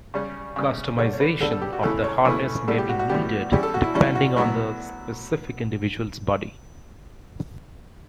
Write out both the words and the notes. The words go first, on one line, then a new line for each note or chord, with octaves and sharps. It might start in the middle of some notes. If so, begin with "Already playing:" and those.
Customization of the harness may be needed depending on the specific individual's body.
C#3 G3 C#4
C#3 G3 C#4
D3 G3 D4 C#5
C#5
B4
D3 G3 D4 A4
A4
G4
F#4
C#3 E3 A3 C#4 E4 A4
C#5
C#3 E3 A3 C#4 E4 B4
A2 G3 B3 A4
G4
F#4
F#4
A2 G3 B3 G4
E3 G3 C#4 E4 G4
A4
F#4
E4
E3 G3 C#4 E4
F#4
A2 F#3 B3 E4 F#4